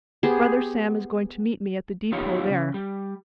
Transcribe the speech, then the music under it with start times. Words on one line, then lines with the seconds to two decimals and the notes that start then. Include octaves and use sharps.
Brother Sam is going to meet me at the depot there.
0.23 B3 G4 G#4 C5
2.12 F3 B3 D#4 F4 G4 C#5
2.50 C#3
2.74 G3